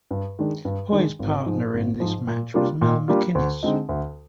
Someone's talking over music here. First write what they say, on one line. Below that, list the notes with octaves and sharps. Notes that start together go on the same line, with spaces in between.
Hoy's partner in this match was Mel McInnes.
G2
D#3 G#3 D4
G2
D#3 G#3 D4
G#1
G#2 F3
G#1
G#2 F3
A#2
G3 A#3 D4 F4
A#2
G3 A#3 D4 F4
D2
D3 G#3 C4 D#4
D2